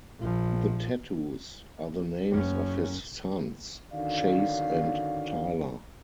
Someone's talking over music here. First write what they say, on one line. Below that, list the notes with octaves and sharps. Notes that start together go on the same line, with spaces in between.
The tattoos are the names of his sons, "Chase" and "Tyler".
A#1 F3
F#1 F#2 C#4
D3 D#3 C#4 F#4 D5 F5